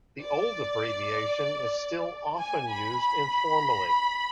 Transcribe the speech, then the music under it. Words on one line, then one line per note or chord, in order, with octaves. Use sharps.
The old abbreviation is still often used informally.
D5
G#5
B5
B5